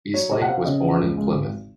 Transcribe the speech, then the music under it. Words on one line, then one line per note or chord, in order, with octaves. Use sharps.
Eastlake was born in Plymouth.
F#3 C#5
C3 D#5
F#5
C4 F5
C#3 D#5
F3
C#2
G#3
G#1